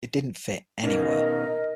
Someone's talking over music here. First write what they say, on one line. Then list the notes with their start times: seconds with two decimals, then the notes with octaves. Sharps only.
I didn't fit anywhere.
0.83 B2 C#4 D#4 A#4 D#5